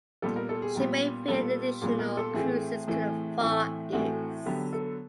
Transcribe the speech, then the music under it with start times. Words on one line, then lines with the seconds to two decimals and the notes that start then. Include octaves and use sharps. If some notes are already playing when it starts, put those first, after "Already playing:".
She made three additional cruises to the Far East.
0.22 A#2 G3 B3 A4
0.36 A#4
0.49 A4
0.62 G#4
0.75 A#2 G3 B3 G4
1.28 A#2 G3 B3 A4
1.81 A#2 G3 B3 G#4
1.99 A#4
2.17 A4
2.34 A2 E3 A3 C4 G#4
2.88 A2 E3 A3 C4
3.40 A2 E3 A3 C4
3.93 A2 E3 A3 C4 F#4
4.46 D3 F#3 B3 G4
4.73 A4